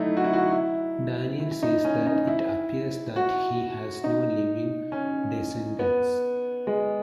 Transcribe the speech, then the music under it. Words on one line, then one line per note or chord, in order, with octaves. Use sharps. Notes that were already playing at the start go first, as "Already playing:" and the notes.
Daniell says that it appears that he has no living descendants.
Already playing: F#3 A3 D#4 E4
F#4
E4
F#4
E4
E4
D#4
C#4
D#4
E4
F#4
D#4
C#4
B3
G#3